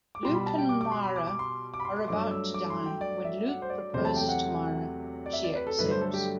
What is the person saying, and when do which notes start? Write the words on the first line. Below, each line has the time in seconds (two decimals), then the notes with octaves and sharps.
Luke and Mara are about to die, when Luke proposes to Mara, she accepts.
0.15 D6
0.23 B2 G3 C6
0.35 B5
0.46 A5
0.58 G5
0.69 D6
0.81 D6
0.92 C6
1.03 B5
1.16 D6
1.27 D6
1.39 C6
1.74 D6
1.80 B5
1.85 C6
1.97 C6
2.07 G2 F#3 A3 D6
2.31 E6
2.54 D6
2.70 C6
2.86 G5
3.01 D5
3.24 E5
3.47 F#5
3.62 C5
3.70 D5
3.93 E2 C3 F#3 A3 C5
4.05 A5
4.16 G5
4.29 F#5
5.26 D5
5.33 E5
5.44 D5
5.55 B4
5.67 A4
5.79 G2 D3 F#3 A3 B4
5.91 C5
6.01 A4
6.14 G4